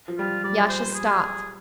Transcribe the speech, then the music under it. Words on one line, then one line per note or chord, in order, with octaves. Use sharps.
Yasha stopped.
F3
G3 F4
G3 D5
C5
G#4